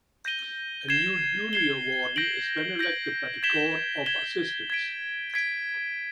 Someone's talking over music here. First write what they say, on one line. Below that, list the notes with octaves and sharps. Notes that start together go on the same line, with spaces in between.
A new Junior Warden is then elected by the Court of Assistants.
G6 A#6 D#7 G7
G#6 C7 E7 G7
G#6 C7 E7 G7
G6 A#6 D7 F#7
G6 A#6 D7 F#7
G#6 B6 E7 G7
G#6 B6 E7 G7
G#6 B6 D7
G#6 B6 D7